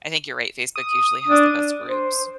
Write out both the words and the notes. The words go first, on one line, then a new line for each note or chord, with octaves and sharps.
I think you're right, Facebook usually has the best groups.
D#6
D4
C5